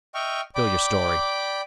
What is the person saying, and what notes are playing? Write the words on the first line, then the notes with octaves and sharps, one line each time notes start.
"Spill your story."
D#5 E5 G5 C#6 F6
D5 G5 B5 D6